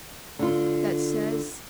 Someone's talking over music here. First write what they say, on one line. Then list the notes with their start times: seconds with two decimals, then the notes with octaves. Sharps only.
that says
0.39 D3 F4